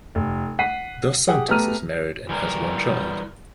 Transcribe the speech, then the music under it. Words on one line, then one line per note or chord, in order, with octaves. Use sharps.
Dos Santos is married and has one child.
F1
F#5 B6 C7 D#7
G4 G#4 F#5
A3 B3 G4 A#5 F6 D#7
E3 G3 A#4